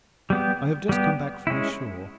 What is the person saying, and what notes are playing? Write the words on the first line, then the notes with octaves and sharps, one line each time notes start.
I have just come back from the shore.
G3 B3 G4
G3 B3 G4
G#3 C#4 E4